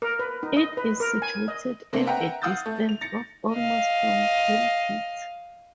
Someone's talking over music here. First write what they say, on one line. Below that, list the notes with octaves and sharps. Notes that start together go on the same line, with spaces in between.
It is situated at a distance of almost from Gilgit.
A#4
B4
D#4
D#5
B4
A#4
G#5
D#5
C3 A3 A#3 C4 D4
B4 E5 F#5 G5 A#5
F5 F#5 D#6 E6 G6 A6
A3
F7
A6 A#6 C#7
D#5 F5